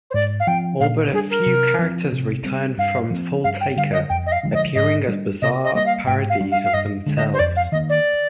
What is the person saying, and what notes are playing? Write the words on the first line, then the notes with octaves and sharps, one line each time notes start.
All but a few characters return from SoulTaker, appearing as bizarre parodies of themselves.
C5
G#2 D5
F5
F3 C4 G5
A#2 F5
G3 D4 G#4
A#4
C3
F3 C4
C3
G3 C4
G2 F5
F3 C4
G2 F5
G5
D3 G3 F5
D#5
F2 G5
D#5
F5
D3 F3 G#3
D#5
G#2 D#5
G3 D4
C3 D#5
D#5
G3 A#3 D#5
F5
G#2 G5
F5
G3 D4
F5
F5
G2 D#5
D3 G#3
D#5
C5
F2 D5
F5
D#3 A#3 D#5
D5